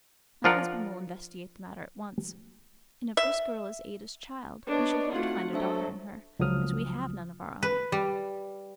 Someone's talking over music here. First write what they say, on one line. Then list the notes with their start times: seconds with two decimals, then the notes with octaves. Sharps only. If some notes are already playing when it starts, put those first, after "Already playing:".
"My husband will investigate the matter at once, and if this girl is Ada's child we shall hope to find a daughter in her, as we have none of our own."
0.44 F3 D4 F4 A#4 F#5 A#5
3.17 E5
4.67 B3 D4 B4 C#5 D#5
5.13 A3 C4 D#4 F4 F#4 F#5
5.53 F#3 D4 A4 C5 E5
6.39 C#2 F3 F#3 D#6 F6
7.63 B4
7.92 G3